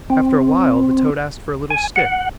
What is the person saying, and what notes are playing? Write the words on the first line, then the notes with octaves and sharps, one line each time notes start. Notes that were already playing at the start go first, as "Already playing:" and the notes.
After a while the toad asked for a little stick.
C4
G#5
F#5